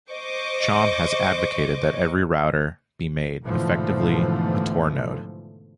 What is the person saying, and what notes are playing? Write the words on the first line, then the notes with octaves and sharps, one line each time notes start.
Chaum has advocated that every router be made, effectively, a Tor node.
C5 D#5 C#6 D6
G#2 B2 D3 E3 F3 A3